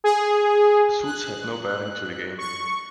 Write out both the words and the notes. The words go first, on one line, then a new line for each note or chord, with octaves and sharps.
Suits have no bearing to the game.
G#4
F#6
C#6